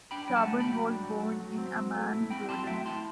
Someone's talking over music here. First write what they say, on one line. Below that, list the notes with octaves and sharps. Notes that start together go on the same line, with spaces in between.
Shaban was born in Amman, Jordan.
D4 G5 B5
F#3 G5
F#5 A5
A3
G5 B5
F#3
D4
F#3
A3
F#3
C4
F#3
A3
E4
C4 G5 B5
F#3 A5 C6
A3 E5 G5
E4 A5 C6